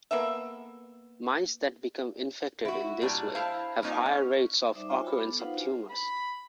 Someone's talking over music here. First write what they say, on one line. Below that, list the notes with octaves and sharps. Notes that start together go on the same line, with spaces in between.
Mice that become infected in this way have higher rates of occurrence of tumors.
A#3 B3 A4 E5
E4 F#4
A#2 G3 D4 G#5
E4 C5 F5 A5
A#3 C#4 D#4 F4 C5
C#4
G3 D#4 C5 D5 E5 D6
F4 C5 C#5 E5 G5 G#5
F#4 B5 D6
B3 A4
D#4 F4 B4 C5 F5 F#5
D4 F#4 G#5
B5